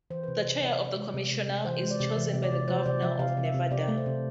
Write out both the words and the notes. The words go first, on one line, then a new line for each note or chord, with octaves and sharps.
The chair of the commissioner is chosen by the Governor of Nevada.
E3 C5
B4
C3
C5
C3 D5
C3 E5
C3
D5
G#3
C3
C3
C3
E3 C5
G#3
D5
C3
E3 E5
C3
D5
C3
F3 C5
C3 D5
F3 E5
C3 F5
C3
E5
C3
C3 D5
A3
C5
C3